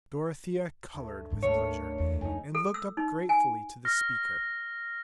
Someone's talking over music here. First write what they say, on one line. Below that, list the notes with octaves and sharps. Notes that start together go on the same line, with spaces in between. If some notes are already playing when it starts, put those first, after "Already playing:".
Dorothea colored with pleasure, and looked up gratefully to the speaker.
D2
G#2 C#3
D2 A3 A#3 C#5
E2
F2 C#3 D#4 C#5 G#5
A4
E6
D#4
G#5
F6 A#6